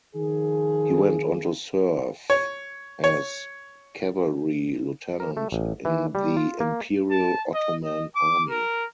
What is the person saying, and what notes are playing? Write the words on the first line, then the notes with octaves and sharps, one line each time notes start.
He went onto serve as Cavalry Lieutenant in the imperial Ottoman army.
D#3 F3 G#4
C#5
C#5
A#4
A3
A1
E3
G3
F4
A#3
A5
D#5
D#5
D6
A#4